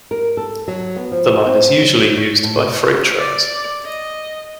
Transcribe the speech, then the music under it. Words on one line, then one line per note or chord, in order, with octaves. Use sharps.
The line is usually used by freight trains.
A#4
A4
F#3
B3
F3
C4
F#3
C#5
A2
D5
D#5